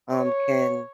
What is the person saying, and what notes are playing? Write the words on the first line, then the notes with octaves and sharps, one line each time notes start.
um, can
C#5